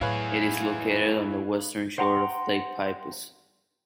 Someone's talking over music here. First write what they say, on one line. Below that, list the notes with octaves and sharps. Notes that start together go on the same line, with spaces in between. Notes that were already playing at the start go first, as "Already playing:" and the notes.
It is located on the western shore of Lake Peipus.
A2 F#3 E4 G#4 B4 C#5 F5
C5 F#5 G5 A#5 C6